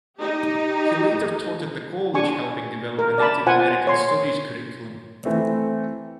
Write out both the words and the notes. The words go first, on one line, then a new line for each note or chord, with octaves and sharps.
He later taught at the college, helping develop a Native American studies curriculum.
D#4 G4
D4 G#5 C#6
A#4
D5 A5 B5
F4 C5 F#5 G#5
C#5 C6
E3 A3 C4